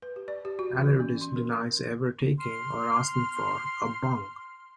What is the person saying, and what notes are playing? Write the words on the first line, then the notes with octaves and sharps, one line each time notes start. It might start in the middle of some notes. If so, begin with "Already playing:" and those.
Allardyce denies ever taking, or asking for, a "bung".
B4
G4
D5
G4
F#4
E3
C#4
C6
A#4
C6 F6